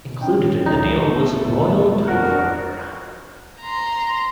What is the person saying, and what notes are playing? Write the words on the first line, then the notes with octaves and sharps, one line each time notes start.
Included in the deal was Royal Typewriter.
C#4 G5
C#2 E3 D#4
F1 B2 A3 A5
F2 D4 F#4 A#4 F#5
A#5 C6